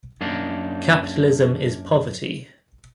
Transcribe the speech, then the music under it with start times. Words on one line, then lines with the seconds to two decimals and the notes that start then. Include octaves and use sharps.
Capitalism is poverty.
0.21 F#2 A#3 D4 D#4